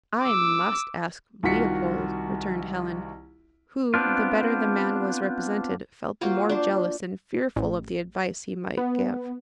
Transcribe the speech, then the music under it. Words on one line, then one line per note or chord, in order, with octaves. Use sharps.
"I must ask Leopold," returned Helen, who, the better the man was represented, felt the more jealous and fearful of the advice he might give.
D6 E6
C2 D#3 F4 F#4 B6 C#7
B3 C4 D4 F4
A#3 F4 F#4 C5
D4 C5
A1
B3